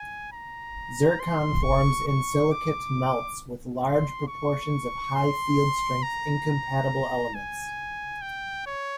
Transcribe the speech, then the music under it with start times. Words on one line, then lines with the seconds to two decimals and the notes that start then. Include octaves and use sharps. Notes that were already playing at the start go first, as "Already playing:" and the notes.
Zircon forms in silicate melts with large proportions of high field strength incompatible elements.
Already playing: G#5
0.33 A#5
1.20 C6
1.63 C#6
2.07 C#6
2.52 D6
3.84 C6
4.28 C#6
5.15 C6
6.03 A#5
7.35 G#5
8.22 G5
8.67 C#5